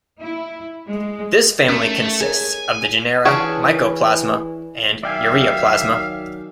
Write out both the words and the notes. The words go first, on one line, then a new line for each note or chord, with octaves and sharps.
This family consists of the genera "Mycoplasma" and "Ureaplasma".
E4
G#3
A3 C#4 A#4
G#4 A#4 C#5 G#5
E3 C#4 D4 G#4
D#3 F#3 D5 E5 F5 G5 G#5